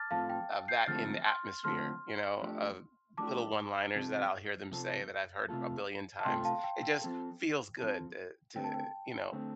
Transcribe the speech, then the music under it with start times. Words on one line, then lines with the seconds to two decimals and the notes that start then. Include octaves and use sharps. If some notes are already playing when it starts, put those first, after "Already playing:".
of that in the atmosphere, you know, of little one-liners that I'll hear them say that I've heard a billion times. It just feels good to to, you know,
Already playing: A5 D6 F6 A6
0.11 A2 F3 C4 F4 A4 F5 A5
0.30 G5
0.68 G6 C7
0.87 D3 F3 A3 C4 A4 F6 A6
1.26 C6 F6
1.64 D3 F3 A3 C4 A4 C6 F6
2.41 F3 A3 D4 G4
3.17 F3 A3 D4 G4 A5 D6
3.95 C3 F3 C4 A4
4.71 C3 F3 C4 A4
5.49 C3 A3 F4 A4
6.20 A5
6.25 C3 A3 F4 A4 G5 C6
6.45 F5 A5
6.64 G5
6.83 G5
7.02 F3 C4 A4
7.78 F3 C4 A4
8.56 D3 A3 C4 G5
8.64 A5
8.74 G5
9.32 D3 A3 C4